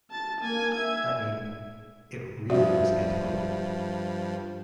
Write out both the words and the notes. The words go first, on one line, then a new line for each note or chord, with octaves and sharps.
I mean, it really looks antiquated.
A5 A6
A#3 G#5
E5 G#6
G2 F3 F#4 D5 E5